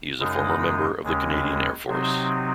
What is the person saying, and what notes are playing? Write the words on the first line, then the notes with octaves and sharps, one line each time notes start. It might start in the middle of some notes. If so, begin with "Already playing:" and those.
He is a former member of the Canadian Air Force.
F#2 C#3 G#3 D#4
D#2 C#3 G#3 C#4
C3 F#3 C4 D#4